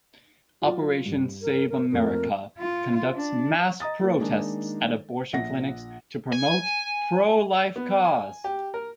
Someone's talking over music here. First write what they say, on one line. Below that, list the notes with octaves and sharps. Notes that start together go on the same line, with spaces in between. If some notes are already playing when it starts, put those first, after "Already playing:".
Operation Save America conducts mass protests at abortion clinics to promote pro-life cause.
F#3 F4
G2
A#4
A#4
F2 A3 A#3 A#4
F4
D4
D#5 A#5 D#6 A6
A#3 F4
D#3 G#3 A#3 D4 D#4
A#1 F#5 A#6
G#5
B3
G#5
G4
A#4